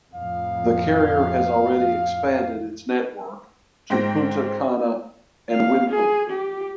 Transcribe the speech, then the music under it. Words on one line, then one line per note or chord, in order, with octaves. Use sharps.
The carrier has already expanded its network to Punta Cana and Windhoek.
F2 A2 F5
G#2 C5 G5 A#6
F5
G#4
G4